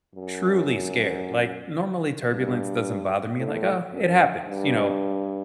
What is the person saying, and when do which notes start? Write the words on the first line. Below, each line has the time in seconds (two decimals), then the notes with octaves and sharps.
truly scared. Like, normally turbulence doesn't bother me, like, "Oh, it happens," you know,
0.15 F#2
2.30 G2
3.37 A2
3.92 F#2
4.45 G2